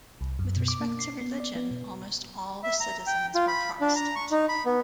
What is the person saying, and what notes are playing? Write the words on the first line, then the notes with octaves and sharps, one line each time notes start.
With respect to religion, almost all the citizens were Protestant.
C2
F#2
B2
D6
A#3
C7
B3
D5
B3
B2
E5
A#5
G5
F4
B5
D4
A#5
C#6
D#4
B5
B3